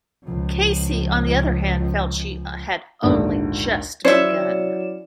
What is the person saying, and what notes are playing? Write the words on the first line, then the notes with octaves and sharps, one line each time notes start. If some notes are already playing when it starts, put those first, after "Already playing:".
Cosey, on the other hand, felt she had only just begun.
C#2 F3
A#1 D#2 G#2 D3
F#3 C#4 E4 C5 D5 E5 E7